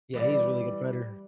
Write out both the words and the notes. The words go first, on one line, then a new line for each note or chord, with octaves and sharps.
Yeah, he's a really good fighter.
E3 G3 D5